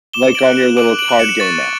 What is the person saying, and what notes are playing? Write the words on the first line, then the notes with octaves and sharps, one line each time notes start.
Like, on your little card game app.
D6 E7 G7
D7 F#7
F#6
E7 G7
D6 D7 F#7
D7 F#7
F#6
C#7 E7
C#6 A6